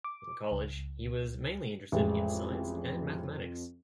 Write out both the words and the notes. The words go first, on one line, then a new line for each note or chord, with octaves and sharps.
In college, he was mainly interested in science and mathematics.
D6
C#2
A1 F2 G#3